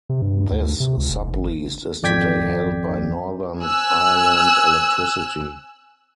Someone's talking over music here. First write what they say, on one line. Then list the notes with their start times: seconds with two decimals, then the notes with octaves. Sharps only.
This subleased is today held by Northern Ireland Electricity.
0.09 C3
0.22 G2
0.51 D2
0.80 C3
0.97 C#2
1.10 E1
1.34 G#1
2.02 G#1 F2 D5 G5 G#6 B6
3.60 G#5 E6 F#6